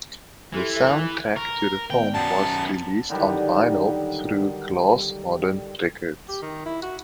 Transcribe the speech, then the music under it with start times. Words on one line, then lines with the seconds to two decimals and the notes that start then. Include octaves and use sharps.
The soundtrack to the film was released on vinyl through Glass Modern Records.
0.54 E3 G4 A4 C6
0.76 A4 E5
1.36 A#4 C#6
1.90 D#3 B3 D5 G5
2.14 F#2 B3 D5 A5
3.10 D3 D#3 F#3 G3
6.29 G4
6.42 D#3
6.66 E4
6.83 F#4